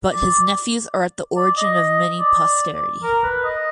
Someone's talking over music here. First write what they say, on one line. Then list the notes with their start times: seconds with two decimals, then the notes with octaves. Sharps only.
But his nephews are at the origin of many posterity.
0.12 D5
1.36 D5
1.57 D#5
2.19 D5
3.03 A#4
3.23 B4
3.44 D#5